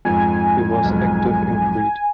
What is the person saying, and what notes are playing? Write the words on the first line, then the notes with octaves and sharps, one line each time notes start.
He was active in Crete.
F2 G#2 G#5
B1 F2 G#2